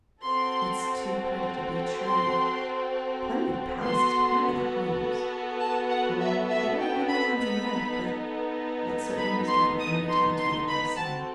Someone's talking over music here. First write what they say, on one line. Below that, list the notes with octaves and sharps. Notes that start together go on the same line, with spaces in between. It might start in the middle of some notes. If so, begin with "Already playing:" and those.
"It's too pretty to be true." "Plenty of palaces, but where are the homes?" "Oh there are little ones enough--but--." It certainly was different from any towns we had ever seen.
C4 F#4 A4 C6
C6
B3 F#4 A4 C6
A5
F#5
E5
E5
G5
B5
B3 D#4 A4 B5
B5
C6
D#6
C6
C6
B5
C4 F#4 A4 A5